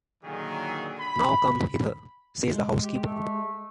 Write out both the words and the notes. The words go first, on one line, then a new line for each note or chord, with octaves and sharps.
"Now, come hither," says the housekeeper.
A#2 D3 D#3 F#3 G#4
B5
G#3
G4
A3